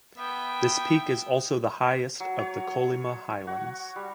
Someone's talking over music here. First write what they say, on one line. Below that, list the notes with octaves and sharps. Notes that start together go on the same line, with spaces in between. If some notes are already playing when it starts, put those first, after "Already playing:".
This peak is also the highest of the Kolyma Highlands.
B3 E5 G5
F#3
C#5
F#4
G3